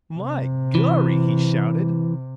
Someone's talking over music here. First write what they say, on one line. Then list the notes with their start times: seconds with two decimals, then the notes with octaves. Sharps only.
"My gorry!" he shouted.
0.16 C3
0.75 E3